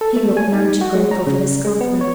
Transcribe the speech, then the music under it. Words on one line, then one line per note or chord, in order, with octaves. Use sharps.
He looked none too grateful for this confidence.
A4
A3
G#5
D#4
F#4
G#3
A#5
C#3
G#3
B3
C#5